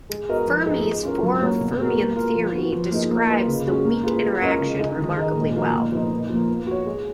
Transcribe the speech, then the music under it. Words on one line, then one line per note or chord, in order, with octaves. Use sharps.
Fermi's four-fermion theory describes the weak interaction remarkably well.
G#3
B3 F#4 A#4 D#5
F3
B3 D#4 G#4
G#3
C#4 F4 A#4
F#3
A#3 C#4 F#4 C#5
B2
G#3 B3 F#4 A#4
A#3
F4 A#4
F3
B3 F#4
F3
A#3 D#4 G#4
A#3
F4 B4 D#5
C#3
G#3 C#4 F#4
A#3
F4 G#4 B4
G#3
C#4 F4 A#4 D#5
C#3
G#3 D#4 G#4 D#5
D#3
G#3 D#4 A#4 D#5
A#2
F3 A#3 D#4 F#4
A#2
F3 B3 D#4
A#2
F3 A#3
B3
F#4 C#5
G#3